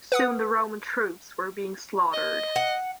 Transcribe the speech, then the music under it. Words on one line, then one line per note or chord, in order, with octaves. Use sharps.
Soon the Roman troops were being slaughtered.
B4 F#5 D#6
D#5
F#5